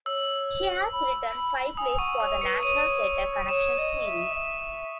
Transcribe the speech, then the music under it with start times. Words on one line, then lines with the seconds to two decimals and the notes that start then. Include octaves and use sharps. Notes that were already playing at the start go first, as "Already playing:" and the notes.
She has written five plays for the National Theatre Connections series.
0.06 C#5 E6
0.92 B5
1.35 B5
1.56 B5
1.77 G#5 D#6
1.98 F#5 C#6
2.20 C#5 D#6
2.41 B4 C#7
2.63 C#5 D#7
3.49 C#5 E7
3.78 D#5
4.05 E5
4.34 E5